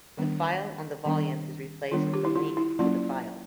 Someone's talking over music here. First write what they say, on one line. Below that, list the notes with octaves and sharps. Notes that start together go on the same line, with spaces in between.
The file on the volume is replaced with a link to the file.
D#3 G3 B3 D4
D#3 G3 B3 D4
D#3 G3 B3 D4 F4
G4
E4
F4
E4
F#3 A#3 C#4 E4 F4